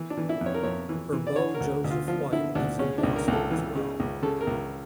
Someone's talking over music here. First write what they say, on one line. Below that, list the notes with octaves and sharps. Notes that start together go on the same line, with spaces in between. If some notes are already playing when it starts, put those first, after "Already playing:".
Her beau Joseph White lives in Boston as well.
Already playing: E3
D4
E3
E4
F2
C#5
A#4
F2 C#5
E3
E3
D5
D3 C#5
A#4
D2
D2
F4
F3 F4
D3 E4
D2 D4
C#3 C#4
D4
C#2
A#4
C#2
A4
E3
C#3
C#2
C#3 A4
A#4
C#2